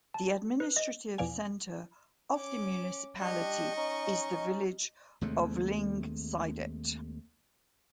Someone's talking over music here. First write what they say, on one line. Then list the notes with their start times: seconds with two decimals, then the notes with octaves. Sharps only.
The administrative centre of the municipality is the village of Lyngseidet.
0.14 A5
0.60 B4
0.77 D#5
1.18 E2 B2 F3 D5 F5 G#5
2.34 C#4 D6
3.19 G3 D4 G4 D#5 C#6
3.76 C#4 D#4
5.21 D#2 C3 G#3 A3